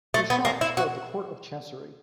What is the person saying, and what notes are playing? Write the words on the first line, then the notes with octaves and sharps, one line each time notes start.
His shop is called the Court of Chancery.
A3
B3
A#3
E4
F#4